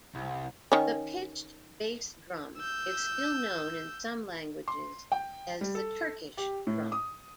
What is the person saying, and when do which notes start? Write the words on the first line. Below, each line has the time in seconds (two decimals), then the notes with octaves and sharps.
The pitched bass drum is still known in some languages as the Turkish Drum.
0.15 C2
0.72 D#3 C#4
2.58 E6 G6
4.68 C6
5.12 G5
5.61 G3
5.75 A4
6.37 G4
6.67 A2
6.92 D#6